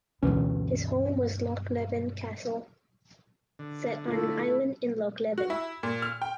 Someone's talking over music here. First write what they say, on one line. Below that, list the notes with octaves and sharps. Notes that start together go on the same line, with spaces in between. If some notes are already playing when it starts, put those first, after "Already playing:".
His home was Lochleven Castle set on an island in Loch Leven.
D2 G2 B2 E3 C#4
D3
A3 E4 F4
F#4
E4
A#2
F6
G5